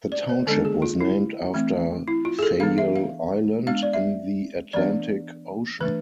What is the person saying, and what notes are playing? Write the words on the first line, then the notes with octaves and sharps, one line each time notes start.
The township was named after Fayal Island in the Atlantic Ocean.
D5
C5
D3 G#3 B3 D4 A4
G#4
F4
E4
E3 A3 C4
E4
F4
G#4
A4
E3 B3 D4 F5
E5
F5
G#3 B3 D4 F5
D5
E5
E3 B3 D4 D5
E3 A3 D4 B4